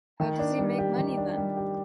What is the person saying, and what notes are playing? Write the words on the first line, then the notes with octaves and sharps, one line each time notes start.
How does he make money then?
D#3
D4
G3
G4
D#3
D4
G3
G4